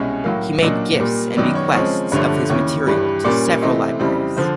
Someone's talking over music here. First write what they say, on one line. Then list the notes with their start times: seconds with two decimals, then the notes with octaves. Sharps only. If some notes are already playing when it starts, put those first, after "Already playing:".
He made gifts and bequests of his material to several libraries.
Already playing: C2 B2 G#3 C#4 G#5
0.24 A2 F#3 A#3 F5
0.62 A#2 F#3 A#3 D4 D#5
1.00 A#2 G3 A#3
1.37 F#2 D#3 F#3 B3 D5
1.55 C#5
1.74 C#3 F3 G#3 C4 C#5
2.12 G2 D3 F3 A3 C#5
2.50 D#2 C#3 E3 C#5
2.87 G2 E3 G3
3.24 A#2 G3 A#3 C#4 D5
3.62 C3 E3 A3 C4 D#5
3.99 F2 C#3 E3 G3 C4
4.37 D3 F3 C5